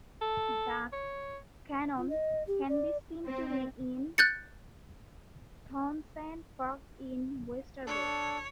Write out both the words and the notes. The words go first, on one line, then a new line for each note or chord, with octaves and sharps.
The cannon can be seen today in Townsend Park in Oyster Bay.
A4
C#5
F4
D#5
G4
D5
C4
F#6 G6 A6 C#7
D4 A4 C#5